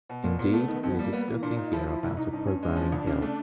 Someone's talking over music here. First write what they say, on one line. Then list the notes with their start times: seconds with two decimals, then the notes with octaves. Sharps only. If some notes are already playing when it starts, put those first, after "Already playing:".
Indeed, we are discussing here about a programming bill.
0.09 B2
0.24 A#2 A#3
0.39 A#2 B3
0.53 A3
0.68 D#3
0.83 F2 C4
0.93 B3
0.99 G3 A#3
1.13 A#3 B3
1.28 E3 A#3
1.42 A#2 D4
1.57 A#2 D#4
1.73 F3 E4
1.87 F3 E4
2.03 C2 E4
2.17 C2 D#4
2.33 G2 D#4
2.47 G2 C#4
2.62 G#3 C#4
2.77 F3
2.91 D2 D4
3.07 C#3
3.22 A3